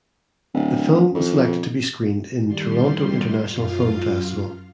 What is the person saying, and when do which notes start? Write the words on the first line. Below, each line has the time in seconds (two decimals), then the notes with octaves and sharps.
The film was selected to be screened in Toronto International Film Festival.
0.54 D1
1.15 F2
2.46 D#2 G3 C6
3.49 F#2 F4 F5